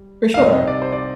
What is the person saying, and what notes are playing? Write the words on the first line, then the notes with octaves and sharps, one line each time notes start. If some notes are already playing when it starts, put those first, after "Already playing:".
For sure.
Already playing: G3
F5
C2 C3 G3 C4 D#4 D#5
D#5
D5
C5
D5